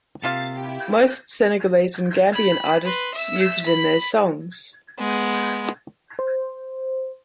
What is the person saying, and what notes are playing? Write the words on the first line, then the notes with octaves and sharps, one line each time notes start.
Most Senegalese and Gambian artists use it in their songs.
C3 A#3 F4 F5 A6 C7
E4 G4
B5
B4 C6
E5 E6
B5 B6
G#3 B3
C5